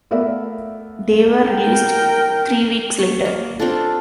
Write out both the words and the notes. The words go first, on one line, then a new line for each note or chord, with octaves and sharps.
They were released three weeks later.
A3 B3 A#4 D5 E5 F5
A#4 G5
C#6
A#3
C4 D4 F4 A4